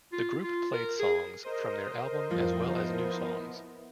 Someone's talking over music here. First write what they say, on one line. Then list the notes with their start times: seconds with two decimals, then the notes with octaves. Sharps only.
The group played songs from their album as well as new songs.
0.13 F4
0.43 F4
0.73 A#4
0.99 G#4
1.43 A#4 C5 D#5
2.31 F2 F3 G3
2.68 B3 E4